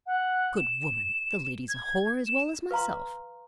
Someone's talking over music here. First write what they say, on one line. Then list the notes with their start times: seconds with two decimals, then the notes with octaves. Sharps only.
Good woman!--the lady's a whore as well as myself!
0.06 F#5
0.57 E7
1.69 G#6
2.26 E7
2.71 B4 F5 A#5 C6